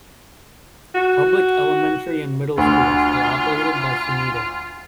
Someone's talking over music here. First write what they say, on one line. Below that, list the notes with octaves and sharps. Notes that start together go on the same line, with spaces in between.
Public elementary and middle schools are operated by Sumida.
F#4
D2 F4